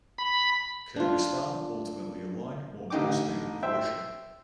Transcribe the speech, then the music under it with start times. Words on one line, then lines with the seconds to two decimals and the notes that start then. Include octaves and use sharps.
Kyrgyzstan ultimately aligned more closely with Russia.
0.18 B5
0.96 D4 F4
2.90 A1 D3 D#4 G5 D6
3.63 C5 E5 G5